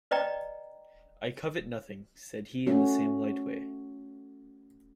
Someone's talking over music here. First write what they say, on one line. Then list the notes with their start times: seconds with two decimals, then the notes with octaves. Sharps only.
"I covet nothing," said he in the same light way.
0.11 B4 D5 D#5 G5 A#5
2.67 A3 C#4 F#4